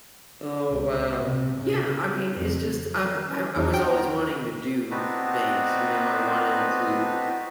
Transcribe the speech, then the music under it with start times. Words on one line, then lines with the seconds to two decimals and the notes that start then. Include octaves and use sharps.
Oh wow. Yeah, I mean, it's just, uh, I I was always wanting to do things, you know, I wanted to
0.72 C#2
1.21 C3
1.58 C#3
2.33 F2
3.08 D#3
3.27 E3 C#4
3.56 E2 D4 D#4
3.74 F#3 D#4 F#4 G5
3.89 A#2 B3 A#5
4.91 B3 C4 D4 D#4 F#4 B4